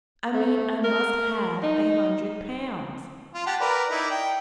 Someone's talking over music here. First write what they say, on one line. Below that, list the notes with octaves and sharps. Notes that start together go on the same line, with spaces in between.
'I mean I must have a hundred pounds.'
A3
A#4
D#4
F4
G4 F#5 A5
A#4 B4 D5
D#4 E4 D5
G5